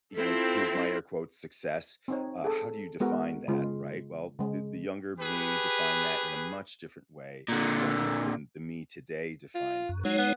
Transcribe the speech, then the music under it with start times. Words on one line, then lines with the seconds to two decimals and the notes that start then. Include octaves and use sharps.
you know, here's my air quotes, "Success," uh, how do you define that, right? Well, the the younger me define that in a much different way than than the me today defines it,
0.16 C4 E4 F4 A4
2.08 C4 D#4 C#5
2.44 G#4 A4
3.00 G#3 B3 F#4 A#4
3.48 C#3 G#3 F4
4.39 C#3 G#3
5.18 G4 G#4 B4
7.48 A#2 D3
9.55 F4
9.89 F#2
10.05 F#3 G#3 D#4 C#5
10.18 B3